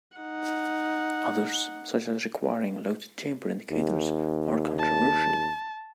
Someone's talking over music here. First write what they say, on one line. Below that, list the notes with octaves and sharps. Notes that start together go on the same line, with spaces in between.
Others, such as requiring loaded chamber indicators, are controversial.
D#4 F#5
D#2
A5